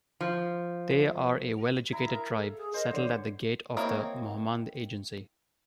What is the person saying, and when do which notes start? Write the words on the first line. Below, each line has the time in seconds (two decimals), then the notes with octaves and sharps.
They are a well-educated tribe settled at the gate of the Mohmand Agency.
0.21 F3
1.92 E4 A#5
2.08 A#4 E5 F5
2.31 A4
2.58 G#4
2.74 A#4 C5 D#5
2.93 D3 E3 C#5
3.77 A#3 C4 E4 C#5 D#5